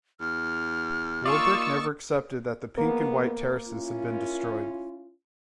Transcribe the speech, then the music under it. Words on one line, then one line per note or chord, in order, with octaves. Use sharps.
Warbrick never accepted that the Pink and White Terraces had been destroyed.
E2 F6
A#3 D#4 F4 D5 C#6 E6 A6
F3 G#3 A#3 B3
C#4 E4 F4